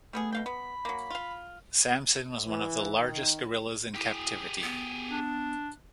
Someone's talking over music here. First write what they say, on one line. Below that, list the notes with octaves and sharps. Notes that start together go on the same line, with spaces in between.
Samson was one of the largest gorillas in captivity.
G3 A3 B3 G#4
B2 F5 G5
B3 B5
F#3 A#3
F4 F5
E3
D#3
E4 G4 G#4
B3
D4